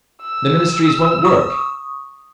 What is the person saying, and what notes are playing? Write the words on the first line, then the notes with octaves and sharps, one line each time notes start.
The Ministries won't work....
E6
C#6 D#6